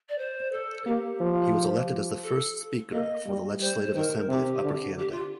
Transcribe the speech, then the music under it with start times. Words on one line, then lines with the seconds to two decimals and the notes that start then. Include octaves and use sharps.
He was elected as the first speaker for the Legislative Assembly of Upper Canada.
0.09 D5
0.18 C5
0.52 A4
0.86 A#3 G4
1.21 F3
2.23 A4
2.92 A#3 D#5
3.27 G3
3.61 G3 C5
3.95 D#3 A#4
4.29 C3 G4
4.63 D3
4.98 G4
5.11 F4